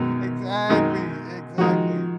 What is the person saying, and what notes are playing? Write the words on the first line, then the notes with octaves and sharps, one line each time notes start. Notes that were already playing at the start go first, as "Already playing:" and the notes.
Exactly, exactly.
Already playing: F#2 B2 D#3 G#3 B3 D#4 F#4
F#2 D#3 G#3 D#4 F#4
D#3 F3 G#3 D#4 F4 F#4